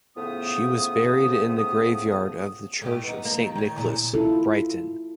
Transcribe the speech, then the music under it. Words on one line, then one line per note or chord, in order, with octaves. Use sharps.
She was buried in the graveyard of the Church of Saint Nicholas, Brighton.
A2 C#3 F3 A3 B3 D#6
A2 G4 D#5
B3 D#4
F2 A#3
D#3
D#3 C#5
E2 A#2 C#3
E4 F4 A4